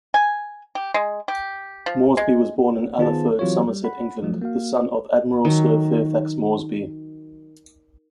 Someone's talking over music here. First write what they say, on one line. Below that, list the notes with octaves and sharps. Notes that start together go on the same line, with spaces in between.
Moresby was born in Allerford, Somerset, England, the son of Admiral Sir Fairfax Moresby.
G#5
G4
G#3
G4
F3
G#3
D#3 B3 F4 G#4 C5 A5
E3 F#3 C4 F4 G4 C#5
G3
F#5 B5
F3 F#3 A3
A#3 F#4 F5
D#3 F#3